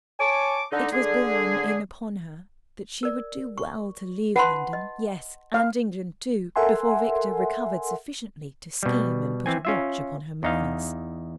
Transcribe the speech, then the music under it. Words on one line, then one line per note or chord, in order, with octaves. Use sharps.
It was borne in upon her that she would do well to leave London, yes, and England, too, before Victor recovered sufficiently to scheme and put a watch upon her movements.
C#5 G#5 A5 C#6 D6
D3 D#4
D3 G#4
A#4 D5
C#6
B4 F#5 A5 C6
D#5
F5
A4 A#4 E5 F#5 G#5 C6
B2 G3
E3 C4 G#5
C#4 F4 E5
E2 D#4 F5